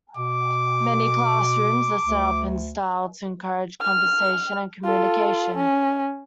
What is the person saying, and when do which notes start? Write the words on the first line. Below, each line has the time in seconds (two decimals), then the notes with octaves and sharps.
Many classrooms are set up in a style to encourage conversation and communication.
0.17 B2 D6
2.05 D2
3.81 F6
4.85 F4 A4
5.57 C#4